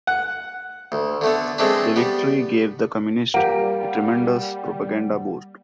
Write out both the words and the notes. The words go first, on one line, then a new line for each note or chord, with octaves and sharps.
The victory gave the Communists a tremendous propaganda boost.
F#5
D2
D3 A3 B3
G#3 A3 C4 D4 B4
G3 B3
G3 A#3 G4 F#5